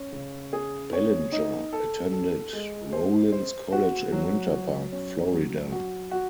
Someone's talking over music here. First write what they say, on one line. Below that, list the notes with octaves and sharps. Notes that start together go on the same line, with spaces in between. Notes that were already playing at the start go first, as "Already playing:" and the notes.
Bellinger attended Rollins College in Winter Park, Florida.
Already playing: C#4
C#3
G#4
C#5
D#4
A4
A4
G#3
C5
C5
F#4
F#3
F#3
C#4
F#3
F#4
F#4